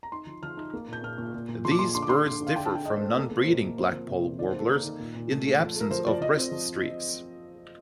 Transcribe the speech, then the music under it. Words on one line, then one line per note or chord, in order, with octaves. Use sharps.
These birds differ from non-breeding blackpoll warblers in the absence of breast streaks.
A#5
D#4 C6
F3
F3 F6
D#4
A#3
A#2 G6
A#2 F6
A#2
A#2
A#2
F3 C6
D6
A#2 C6
D3 C6
D6
D3 C6
D3
D3
F5
D3 G5
A5
D3 G5
D4 D#5
C5
A3
A#3 A4
A#3
C5
A#2 A#4
A#3
C4 C5
F3
C3
C4
D#3 D5
C5
A#3
A4
A#3
D#3
A#2
A#2
A3
A3
F3
A3 A#4
F3 C5
F3 D5
F3 D#5
C4
F3